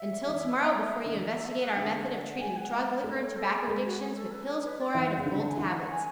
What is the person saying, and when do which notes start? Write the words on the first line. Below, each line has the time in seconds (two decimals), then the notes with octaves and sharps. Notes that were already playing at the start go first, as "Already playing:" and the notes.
Until tomorrow before you investigate our method of treating Drug, Liquor and Tobacco addictions with Hill's Chloride of Gold Tablets.
Already playing: E5
0.29 E3
1.06 D3
1.13 E3 D5
1.29 E5
1.61 F#5
1.77 D3 E5
1.93 F#5
2.09 D5
2.25 F#5
2.40 G#3 G#5
2.56 F#5
2.72 E5
2.88 F#5
3.04 A3 D5
3.20 C#5
3.36 A4
3.51 G#4
3.68 G#3
3.84 F#4
3.99 G#4
4.15 A4
4.31 B4
4.47 C#5
4.63 B4
4.78 D5
4.94 E3 F#5
5.18 C#3
5.26 D3 B5
5.39 A5
5.49 G#5
5.57 E3 F#5
5.74 F#5
5.90 G#5